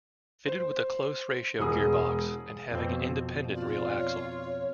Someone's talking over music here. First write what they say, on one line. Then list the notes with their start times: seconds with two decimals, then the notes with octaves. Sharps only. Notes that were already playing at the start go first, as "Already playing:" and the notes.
Fitted with a close-ratio gearbox and having an independent rear axle.
0.46 C5
1.59 E1 G#3 G#4 D#6
2.72 F2 B2 C4
3.54 F4 D5
3.97 C#5